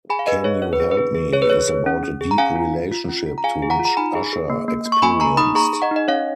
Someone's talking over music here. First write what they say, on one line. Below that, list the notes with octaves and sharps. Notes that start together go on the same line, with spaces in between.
"Can U Help Me", is about a deep relationship to which Usher experienced.
G#4 G#5 B5
F5
G#4 B4 D#5
G#4 C#5
C#4 C#5
B4
G#4
B4
G#4
G#4
G#4 C#5
B4
G#4 C#5
G#4
C#4
C#4
G#4
A#5
C#4 F5 G#5
F4
F4
F4
C#4
F4
A#5
G#4 F5 G#5
G#4
F#5 A#5
F4
A#5
D#4 G#5 B5
G#4
G#4
A#3
A#3
A#3
C#6
A#3 G#5 B5
A#3 A#5 C#6
D#4 B5 D#6
G#4 A#5 C#6
G#4
D#5 F#5
D#4
D#5
C#4 C#5 F5